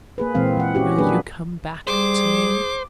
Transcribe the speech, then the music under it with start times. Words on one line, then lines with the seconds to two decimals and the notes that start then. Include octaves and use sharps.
"Will you come back to me?"
0.18 A#3 G#4 B4
0.35 A#2 E3 G#3 C4 F5
0.57 E3 F#5
0.75 C#4 F#4 G4
0.98 F#3 A#3 D4 G#4 B4
1.87 G3 G#4 C5 D6